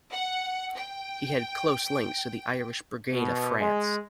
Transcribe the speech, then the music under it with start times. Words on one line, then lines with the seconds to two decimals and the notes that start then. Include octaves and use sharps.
He had close links to the Irish Brigade of France.
0.11 F#5
0.75 G5
3.12 B2
3.60 G#3